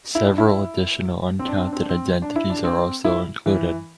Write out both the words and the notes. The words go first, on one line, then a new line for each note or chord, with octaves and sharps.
Several additional "uncounted identities" are also included.
E4
D4
E4
C4
D4
C4
D4
C4
D4
C4
D4
E4
D4
C4
E4
E3